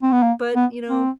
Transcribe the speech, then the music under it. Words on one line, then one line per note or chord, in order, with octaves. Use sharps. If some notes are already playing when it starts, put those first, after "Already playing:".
But, you know,
C4
B3
A#3
B3
C4